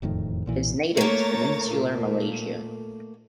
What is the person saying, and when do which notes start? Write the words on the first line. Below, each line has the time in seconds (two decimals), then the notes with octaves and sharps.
It is native to Peninsular Malaysia.
0.02 E1 F2 A2 D#3
0.46 B1 A#2 E3
0.97 A3 A#3 C#5 A#5 A6
1.72 A#2